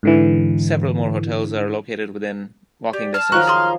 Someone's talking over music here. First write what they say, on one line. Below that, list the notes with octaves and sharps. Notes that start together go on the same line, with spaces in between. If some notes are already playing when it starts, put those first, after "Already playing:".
Several more hotels are located within walking distance.
G#2 D3 E3
G4 D5
A5 F6
D#3 F3 F#3 F#4 A#5 C#6 F#6
G#4 C6